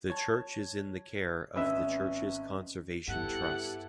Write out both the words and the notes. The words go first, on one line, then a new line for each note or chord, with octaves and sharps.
The church is in the care of the Churches Conservation Trust.
C#5 A5 G#6
G#1 C#4 B4 D#5 E5
G2 B3 E4 G4 A4 F#5